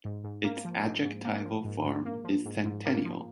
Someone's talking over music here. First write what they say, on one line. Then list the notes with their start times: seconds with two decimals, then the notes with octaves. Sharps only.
Its adjectival form is centennial.
0.05 G#2
0.24 G#2
0.44 A#3
0.65 F3
0.84 G#2
1.04 G#2
1.25 A#3
1.45 F3
1.65 G#2
1.84 G#2
2.05 A#3
2.24 F3
2.45 G#2
2.65 G#2
2.85 A#3
3.05 F3